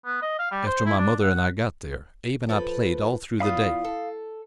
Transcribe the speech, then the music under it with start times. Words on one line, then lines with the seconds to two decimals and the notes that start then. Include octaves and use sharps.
After my mother and I got there, Abe and I played all through the day.
0.06 B3
0.22 D#5
0.39 F5
0.52 G3
0.67 C5
0.86 E4
0.98 D4
1.21 F#5
1.36 F#5
2.49 F3 A4 B4
3.40 E2 F4 F5 B5 D#6
3.84 A4